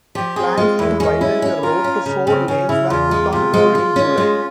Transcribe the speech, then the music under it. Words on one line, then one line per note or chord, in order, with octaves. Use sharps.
Plans to widen the road to four lanes were put on hold in July.
F3 G4
C4 G#4
G#3 F4
E2 E4
G#3 C#4
C#4 E4
C#4
F4 A#4
C#4
C#3
C#3 C4
C#3 C#4
C#3 E4
E2 F4
G#3
C3 F4
G#3
G#3
C#4
G#3